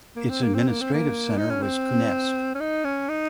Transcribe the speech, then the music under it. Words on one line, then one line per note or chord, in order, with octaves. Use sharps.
Its administrative centre was Kuznetsk.
A#3
C4
A#3
C4
A#3
C4
A#3
D#4
C#4
C4
C#4
D#4
C#4
D#4